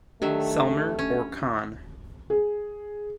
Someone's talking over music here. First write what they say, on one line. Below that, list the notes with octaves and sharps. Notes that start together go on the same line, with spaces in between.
Selmer or Conn.
D#3 F#3 A3 D4 G4 E5
C#4
G#4